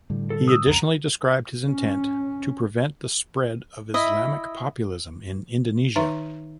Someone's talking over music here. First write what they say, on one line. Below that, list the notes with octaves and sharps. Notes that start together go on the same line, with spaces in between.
He additionally described his intent to prevent the spread of Islamic populism in Indonesia.
A2 D3 G3
A4
D#6 E6
C2 F2 F#3 A#5
C#4
E4 D#5 E5
D#3 D#4 B4 E5 A#5